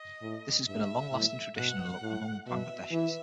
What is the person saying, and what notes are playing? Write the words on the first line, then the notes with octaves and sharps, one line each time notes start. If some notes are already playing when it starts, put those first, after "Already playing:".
This has been a long lasting tradition among Bangladeshis.
Already playing: D#5
A2
G2 E5
A2
B2 F#5
A2
B2 E5
E3 E5